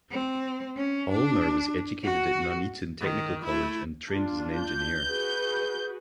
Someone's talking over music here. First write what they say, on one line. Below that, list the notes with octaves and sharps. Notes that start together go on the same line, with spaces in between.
Olner was educated at Nuneaton Technical College and trained as an engineer.
C4
C#4
D4
F#4
D#3
A3 E4
D4 F4
G6
F#4 G#4 B4